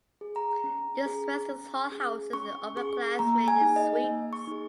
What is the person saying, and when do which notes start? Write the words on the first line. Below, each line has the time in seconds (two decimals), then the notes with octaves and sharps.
This residence hall houses upperclassmen in suites.
0.21 G#4
0.36 A#5
0.64 C#4
1.06 G#4
1.49 C#4
1.92 G#4
2.33 C#4 C#6
2.77 G#4 C#6
3.19 A#3 A#5
3.48 G#5
3.61 D#4 G#4
3.76 D#5
4.04 A#3
4.33 C#6
4.47 D#4 G#4